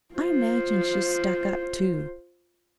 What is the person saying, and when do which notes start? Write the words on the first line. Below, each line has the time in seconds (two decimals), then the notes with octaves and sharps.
I imagine she's stuck up, too.
0.15 F4 C5